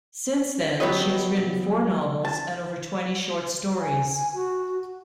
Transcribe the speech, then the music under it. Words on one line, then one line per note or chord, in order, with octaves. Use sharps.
Since then, she has written four novels and over twenty short stories.
F#3 B3 G4 B4 C#5 D#5
A5
G#5
G#5
F#4